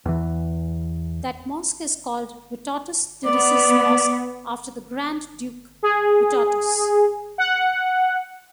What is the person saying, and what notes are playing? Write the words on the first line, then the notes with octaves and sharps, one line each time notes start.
That mosque is called Vytautas Didysis Mosque after the Grand Duke Vytautas.
E2 E3
B3 D5
G#4
F#5